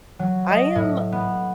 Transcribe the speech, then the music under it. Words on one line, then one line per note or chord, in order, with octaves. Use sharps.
I am
F#3
D#5
A2
B3